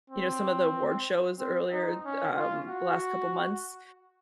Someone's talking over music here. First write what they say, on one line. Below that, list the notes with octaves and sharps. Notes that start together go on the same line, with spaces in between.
you know, some of the award shows earlier, um, the last couple months,
C4
C4
D#4
C#4
F4
F#4